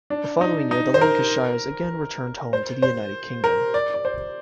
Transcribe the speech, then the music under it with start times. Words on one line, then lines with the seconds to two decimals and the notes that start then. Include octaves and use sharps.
The following year the Lancashires again returned home to the United Kingdom.
0.10 D4
0.41 D#4
0.71 D#4
0.94 C5
1.01 A#4
2.53 C5
2.82 C5
3.44 A#4
3.74 D5
3.94 D5
4.05 C5